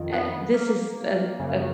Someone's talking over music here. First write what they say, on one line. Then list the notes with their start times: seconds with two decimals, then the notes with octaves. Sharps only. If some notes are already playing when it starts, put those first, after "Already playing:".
uh, this is a a
Already playing: F2 D#3
0.13 B3
0.54 A#3
1.40 F#2 C#3